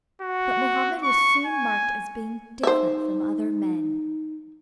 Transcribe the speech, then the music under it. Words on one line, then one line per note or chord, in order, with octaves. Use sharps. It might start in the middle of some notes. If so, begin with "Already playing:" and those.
But Mohammed was soon marked as being different from other men.
F#4
C#6
G#5
D#4 C5 E5